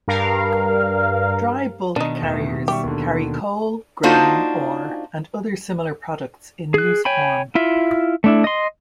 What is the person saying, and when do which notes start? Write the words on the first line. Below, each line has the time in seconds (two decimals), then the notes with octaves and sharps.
Dry bulk carriers carry coal, grain, ore and other similar products in loose form.
0.08 G2 A#4 F5
1.96 B2 D#3 D4 D#4
2.22 E2 A2 E7
2.68 G3 G4 E5 C#6
2.83 D#2 D3
4.03 A#3 D4 D#4 F4 F#4 C5
6.74 G#4 F#6
7.05 C#5 G5 G#5 B5
7.55 E4 F4 E5
8.24 A3 D4 E4
8.44 D#5 C6